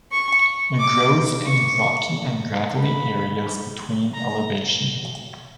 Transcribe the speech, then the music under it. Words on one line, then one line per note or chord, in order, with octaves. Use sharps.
It grows in rocky and gravelly areas between elevation.
C#6
D6
C#6
B5
A#5